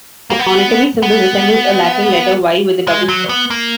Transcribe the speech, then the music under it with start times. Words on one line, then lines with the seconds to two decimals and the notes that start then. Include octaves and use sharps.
This monetary symbol resembles a Latin letter Y with a double stroke.
0.30 A#3
0.39 B3
1.03 B3
2.87 G#3
3.09 F#3
3.29 B3
3.50 A#3